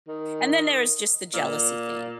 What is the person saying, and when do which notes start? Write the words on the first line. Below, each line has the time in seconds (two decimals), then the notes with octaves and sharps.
and then there is just the jealousy thing.
0.08 D#3
1.34 A#2